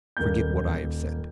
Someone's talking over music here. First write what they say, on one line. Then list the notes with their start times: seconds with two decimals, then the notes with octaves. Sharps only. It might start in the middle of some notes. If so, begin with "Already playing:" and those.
Forget what I have said.
0.17 D#1 A#3 G6